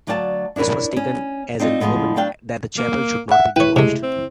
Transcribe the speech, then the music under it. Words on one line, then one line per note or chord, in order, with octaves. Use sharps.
This was taken as an omen that the chapel should not be demolished.
D2 F#3 D5 F5 F#5 A5
D4 E4 A#4 B4 C#5
C#4
C4 D4 D#4 F4
E2 A2 E3 F3 G#3 B3
D2 F#3 D4 F5 G5
A#3
E5 F#5
E4 B4 C#5 G5
C3 G#3 A3
C4